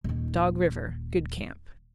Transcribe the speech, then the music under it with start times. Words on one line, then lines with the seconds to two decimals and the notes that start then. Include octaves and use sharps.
Dog River.--Good camp.
0.04 D#1 D#3